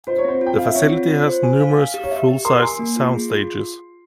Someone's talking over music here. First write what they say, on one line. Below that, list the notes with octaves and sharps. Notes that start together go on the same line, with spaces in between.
The facility has numerous full-size sound stages.
F4 C5
C#5
C4 C5
F4
G5
F4 F5
E5
C4 C#5
F4
F4
C5
G#5
F5
F5
G4
C#5
G4 E5
G4
A#4 C6
G#5 C6
A#3
F4
G#4
F4